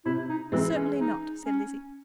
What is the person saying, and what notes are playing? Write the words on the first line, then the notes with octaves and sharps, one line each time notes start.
"Certainly not," said Lizzie.
C3 E4
D#4
E3 G#3 C4
C#4
D#4
C#4